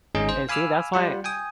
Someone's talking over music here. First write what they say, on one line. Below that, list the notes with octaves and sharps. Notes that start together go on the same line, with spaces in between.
and see that's why
G#1 G#3 C#4 D#4 G#4 D#5
C5
F5 G#5 B5 D6 E6 F6
G3 F4 F#5
G5 G#5 D#6